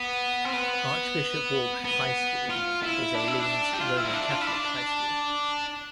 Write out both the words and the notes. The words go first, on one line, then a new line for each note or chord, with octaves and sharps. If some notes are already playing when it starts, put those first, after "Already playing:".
Archbishop Walsh High School is Olean's Roman Catholic high school.
Already playing: B3
C4
B3
B3
F4
E4
D4
E4
D4
G4
F4
E4
C4
D4
F4
E4
D4